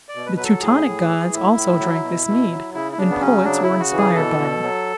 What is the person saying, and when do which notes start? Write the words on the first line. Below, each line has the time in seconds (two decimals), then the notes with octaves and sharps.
The Teutonic gods also drank this mead, and poets were inspired by it.
0.09 D5
0.15 B2
0.26 B4
0.37 F#3 B4
0.44 A4
0.61 A2 G#4
0.85 A2
1.09 E3
1.33 A2 E4
1.56 A2
1.80 F#3
2.04 B2
2.27 B2
2.51 F#3
2.74 C#3 E4
2.92 E4
2.98 C#3 D4
3.10 B3
3.21 F#3 C#4
3.45 C#3 D4
3.63 E4
3.68 C#3
3.80 F#4
3.92 E3
3.98 G#4
4.15 B2 A4
4.39 B2
4.63 F#3